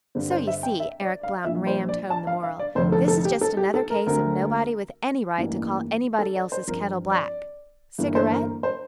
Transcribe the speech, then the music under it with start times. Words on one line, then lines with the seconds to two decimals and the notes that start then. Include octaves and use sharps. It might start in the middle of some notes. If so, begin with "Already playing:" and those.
"So you see," Eric Blount rammed home the moral, "this is just another case of nobody with any right to call anybody else's kettle black.... Cigarette?"
0.15 G2 D3 G3 C4
0.31 C5
0.47 E5
0.63 G5
0.80 E5
1.01 D5
1.23 F5
1.45 A#1 A#2 F3 E5
1.67 C5
1.89 D5
2.10 A5
2.27 F5
2.43 F5
2.59 D5
2.75 F1 F2 D3 C5
2.92 A4
3.08 A4
3.25 G4
3.41 A4
3.57 G4
3.74 A4
3.90 A#4
4.06 D2 D3 A3 C4 A#4
5.38 A1 G2 E3 A#3
6.19 A4
6.36 D5
6.52 C5
6.67 G2 F3 C4 A#4
7.11 D5
7.99 G1 G2 E3 A#3
8.15 C5
8.31 A#4
8.63 C5